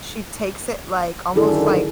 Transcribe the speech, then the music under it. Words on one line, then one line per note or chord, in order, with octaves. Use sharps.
She takes it, like, almost like
F#2 D3 D#3 E4 G#4 A4